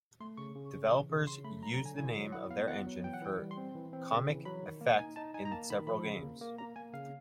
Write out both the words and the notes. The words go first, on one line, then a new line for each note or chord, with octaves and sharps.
Developers used the name of their engine for comic effect in several games.
A3 C6
C#3 C#6
C#3
C#3
E3
C#3
C#3 C6
A3 B5
F#3 A#5
A#5
D3
G#5
E4 G#5
F#3
E4 F#5
B3 F5
B3 F#5
F#3
E3 G5
F#5
E3 G5
G3
C6
C4
E3
C4
C#3
E3
F#3 B5
D#3
A#3
D#4 G#5
D#4 A5
D#4 G#5
A#5
A#3 A5
D#3 B5
F3 B5
C#3
A#3
A#3
A#3 A#5
A#3 G#5
C#3 F5